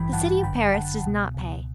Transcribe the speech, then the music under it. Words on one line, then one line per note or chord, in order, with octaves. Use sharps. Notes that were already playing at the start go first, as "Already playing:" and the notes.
The city of Paris does not pay.
Already playing: A1 G2 E3 G5 B5
A1 G2 E3 F#5 A5
G1 F#2 D3 G5 B5
G1 F#2 D3 F#5 A5
C#2 B2
C#2 B2